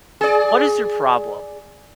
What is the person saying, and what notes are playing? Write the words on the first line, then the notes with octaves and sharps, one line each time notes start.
"What is your problem?
G#4 D5